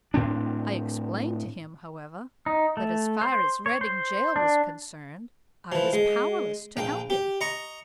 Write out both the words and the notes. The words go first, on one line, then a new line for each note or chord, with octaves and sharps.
I explained to him, however, that as far as Reading gaol was concerned, I was powerless to help him.
A2 C4 D4
D#4
A3
C5
C#5
C5
D4
E3 F3
G#3
A#1 G5
G4
D#5 A#5 C#6